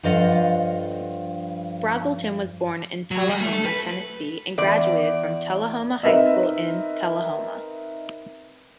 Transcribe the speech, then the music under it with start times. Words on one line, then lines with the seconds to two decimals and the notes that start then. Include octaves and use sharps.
Brazelton was born in Tullahoma, Tennessee and graduated from Tullahoma High School in Tullahoma.
0.03 G2 F3 A4 D#5 F5 F#5
3.11 F#3
3.29 G3
3.41 A3
3.53 A4
3.66 B4
4.58 E2 D5
6.03 C4 D#4 A#4 B4 D#5 E5